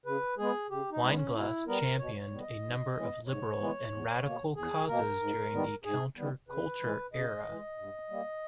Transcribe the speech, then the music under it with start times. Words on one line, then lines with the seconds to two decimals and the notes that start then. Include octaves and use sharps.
Weinglass championed a number of liberal and radical causes during the counterculture era.
0.05 C#3 B4
0.38 G#3 B3 G#4
0.70 C#3 G4
0.92 D#4
1.03 G#3 B3
1.13 C#4
1.34 B2 E4
1.67 G3 B3 A#4
1.99 B2 C#5
2.20 C#5
2.31 G3 B3
2.42 D#5
2.63 G#2
2.96 E3 G#3 B3
3.27 G#2 C#5
3.59 E3 G#3 B3
3.92 E2
4.25 B2 A#3
4.56 E2 G#4
4.88 B2 A#3 A#4
5.20 G#2
5.53 D#3 G3 B3
5.84 G#2 G#4
6.17 D#3 G3 B3
6.49 C#3 B4
6.81 E3 G#3
7.13 C#3 D#5
7.46 E3 G#3
7.78 G2
8.10 G3 A#3